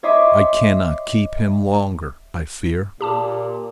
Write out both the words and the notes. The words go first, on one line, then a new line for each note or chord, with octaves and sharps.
I cannot keep him longer, I fear.
C#5 D#5 E5 C6 D6
A#2 G4 A5 D6